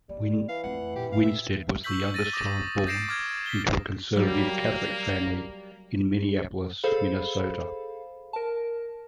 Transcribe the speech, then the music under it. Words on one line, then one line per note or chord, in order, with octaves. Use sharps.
Winstead was the youngest child born into a conservative Catholic family, in Minneapolis, Minnesota.
G3 A#3
E3 F5
F2 A3 F#5
A#2 G4
F5
E5
C#6 E6 G6 B6 F#7
A6 A#6 D#7
D6 D#6 A#6 D#7
G6 A6 A#6 C7 D7 E7
D6 F6 G#6
B6 G7
F#3 G3 A#3
G#4 A4 C5 F5 B5
A#4 A5